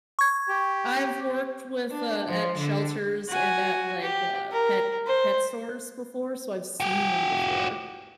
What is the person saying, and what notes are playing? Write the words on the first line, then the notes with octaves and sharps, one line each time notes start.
I've worked with, uh, at shelters and at, like, uh, pet pet stores before, so I've seen them before.
C#6 G#6
G4
D4
F3
D3
F#4 G#5
G4
A#4
C5
F#4 G4